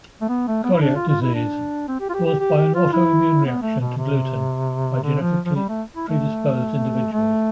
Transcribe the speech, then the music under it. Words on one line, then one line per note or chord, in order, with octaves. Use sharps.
Coeliac disease - caused by an autoimmune reaction to gluten by genetically predisposed individuals.
A3
B3
A3
B3
E4
D4
F4
F4
E4
D4
C4
G4
F4
G4
G4
G4
G4
F4
E4
B3
A3
B2
C3
D3
F3
F3
G3
A3
E4
A3
A3